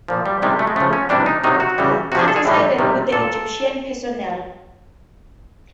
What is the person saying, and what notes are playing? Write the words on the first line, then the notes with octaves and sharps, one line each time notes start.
Carter sided with the Egyptian personnel.
A#2 F3
G3
C3 D#3 G3 G#3
A3
G#3
C#3 F3 A3
C#4
C3 E3 G3 D4
D#4
C3 D#3 F#3 D#4
F#4
C#3 E3 G3
C3 F3 F#4 G#4
A4
G#4
A2 E3 G3
C3 D#3 G3
A#2 A4